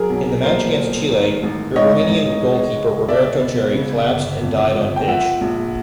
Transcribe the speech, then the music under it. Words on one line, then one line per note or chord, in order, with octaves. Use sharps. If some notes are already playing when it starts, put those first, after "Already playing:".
In the match against Chile, Uruguayan goalkeeper Roberto Chery collapsed and died on pitch.
Already playing: F#3 G#4 A#4
B1
A#2 A#4 C5
A3
D#3
A1
G#2 C#5 D#5
A1
G#3
C#2
B2 D5 E5
B3
C#3
G1
F2
F3
G5
F3 E5 F#5
A#1